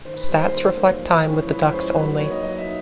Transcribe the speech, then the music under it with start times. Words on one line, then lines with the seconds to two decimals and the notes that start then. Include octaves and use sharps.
Stats reflect time with the Ducks only.
0.05 D#3 C5
0.17 B4
0.29 G3 C5
0.32 A#3
0.40 C5
0.52 D#3
0.77 G3 A#3
0.99 F3
1.23 G#3 C#4 E4
1.47 F3 B4
1.70 G#3 C#4 E4 C5
1.95 F#3 B4
2.18 A#3 D#4 C#5
2.30 D#5
2.42 F#3 D#5
2.58 E5
2.66 D#4